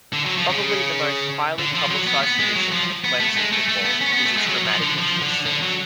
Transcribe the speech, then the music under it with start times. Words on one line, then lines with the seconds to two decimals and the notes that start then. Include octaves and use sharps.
Probably the most highly publicized tradition of Clemson football is its dramatic entrance scene.
0.13 D3
0.26 F#3
0.38 F3
0.50 C#3
1.59 D3
1.75 F3
1.90 F#3
2.07 B3
2.23 B3
2.39 G#3
2.56 F#3
2.72 F3
3.04 B3
3.20 A3
3.37 G#3
3.52 A3
3.69 A3
3.85 B3
4.01 C#4
4.13 B3
4.25 A3
4.37 G#3
4.46 F3
4.49 F#3
4.66 F3
4.82 D3
4.98 F3
5.22 D3
5.46 D3
5.62 F#3